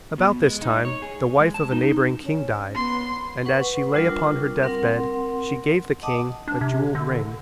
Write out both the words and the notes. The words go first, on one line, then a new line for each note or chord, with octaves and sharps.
About this time the wife of a neighbouring king died and as she lay upon her death bed she gave the king a jewelled ring.
B2
G#3
D#4
C#5
G#4
G#3
A5
D#4
C#4
B3 C6
B4 F#5 C#6
G3 D4 F4 A#4
C4 A#4 F#5 C6
D#5 F#5 A5 D6 D#6
D4
C3
D3